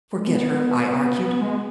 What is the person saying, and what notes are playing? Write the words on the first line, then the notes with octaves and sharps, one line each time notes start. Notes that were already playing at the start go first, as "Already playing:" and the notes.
"Forget her," I argued.
G#3
B3
G#3